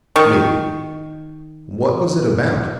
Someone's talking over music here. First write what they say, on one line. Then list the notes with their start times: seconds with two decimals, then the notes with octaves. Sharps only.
ME: What was it about?
0.16 D#3 C#6